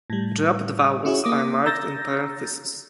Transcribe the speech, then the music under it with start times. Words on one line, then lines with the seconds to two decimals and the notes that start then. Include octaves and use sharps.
Dropped vowels are marked in parenthesis.
0.10 A2 G3
1.05 C#4 E4 F#4 G#4 C#5
1.24 A#3 D6 D#6
1.66 A#5 E6 G6 A6 A#6